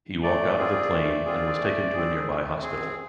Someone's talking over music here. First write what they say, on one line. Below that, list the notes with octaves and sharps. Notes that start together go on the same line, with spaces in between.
He walked out of the plane and was taken to a nearby hospital.
A3 D5
C4 F4 G#4
A3
C4 F4 G#4
A3
C4 G#4
A3
C4 G#4